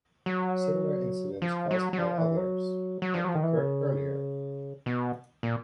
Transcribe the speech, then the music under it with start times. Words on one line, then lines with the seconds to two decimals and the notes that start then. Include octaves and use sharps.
Similar incidents caused by others had occurred earlier.
0.26 F#3
1.42 F3
1.71 F#3
1.93 F#3
1.98 F3
2.18 E3
2.37 F#3
3.02 F#3
3.14 F3
3.24 F#3
3.28 F3
3.35 D#3
3.43 E3
3.57 C#3
4.86 B2
5.43 A#2